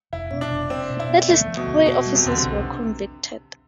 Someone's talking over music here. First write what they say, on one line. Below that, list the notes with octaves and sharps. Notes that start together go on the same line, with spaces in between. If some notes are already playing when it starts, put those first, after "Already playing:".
At least three officers were convicted.
F1 E4
B2
D4
F1
C4 D4
B2
E4
B3
D2 A3
F3
B2
D2
E1 B2
G3
C3
E2 D3
C3
B1
D4